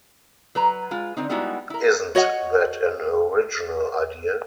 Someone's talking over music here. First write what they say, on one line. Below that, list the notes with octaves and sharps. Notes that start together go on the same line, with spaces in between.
Isn't that an original idea?
F#3 B4 A#5
G#3 F4
D3 C4 D#4
G3 G#3 B3 D#4 E4 F#4
E4 A#4
F#4 C#5 D#5 F#5